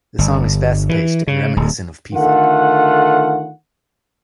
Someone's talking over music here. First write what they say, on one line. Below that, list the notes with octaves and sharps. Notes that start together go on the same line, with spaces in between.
The song is fast-paced and reminiscent of P-Funk.
G1
E3
C#3
D1
D3 D#3 A3 F4 F#5